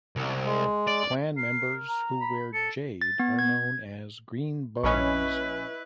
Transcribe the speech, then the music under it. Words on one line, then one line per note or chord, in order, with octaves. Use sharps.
Clan members who wear jade are known as Green Bones.
C2
G#3
D5
A#4 C7
A#5
B5
A4 C#7
A6
B3
G#6
A#1 C#4 E4 B4 D#5 B5 C#6